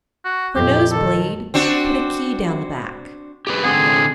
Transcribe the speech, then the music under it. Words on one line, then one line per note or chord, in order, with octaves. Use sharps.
For nose-bleed, put a key down the back.
F#4
F2 A#2 G4
D#3 A4
C4 D4 F#4
G4 G#4 B4
D3 C4 G#4 F#5